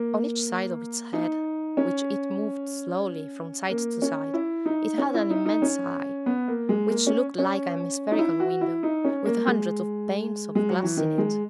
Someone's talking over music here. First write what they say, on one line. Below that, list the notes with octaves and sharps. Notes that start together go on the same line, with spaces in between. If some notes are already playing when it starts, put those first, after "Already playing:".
On each side of its head, which it moved slowly from side to side, it had an immense eye, which looked like a hemispherical window, with hundreds of panes of glass in it.
Already playing: A#3
D#4
C#4
A#3
C#4
E4
D#4
C#4
E4
D#4
D#4
C#4
B3
A#3
G#3
A#3
C#4
C#4
D#4
E4
F#4
E4
D#4
C#4
A#3
G#3
G#3
F#3
E3
D#3
G#3